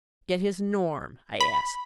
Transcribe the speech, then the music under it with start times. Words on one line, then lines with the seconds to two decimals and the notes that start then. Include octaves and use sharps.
"Get his Norm?" I asked.
1.41 B5